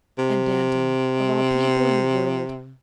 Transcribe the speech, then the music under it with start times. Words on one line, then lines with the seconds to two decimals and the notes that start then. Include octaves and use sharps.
'And Danton, of all people in the world!
0.18 C3